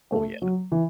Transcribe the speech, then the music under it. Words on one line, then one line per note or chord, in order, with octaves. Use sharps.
Oh, yeah.
A3
F#3
E3